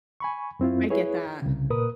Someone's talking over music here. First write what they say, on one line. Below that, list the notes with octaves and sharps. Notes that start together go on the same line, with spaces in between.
I get that.
G#5 B5 C#6
F#2 C4 E4 F4
E4 G#4 B4 C#5
C2 C#3
A#2 A#4 B4 D#6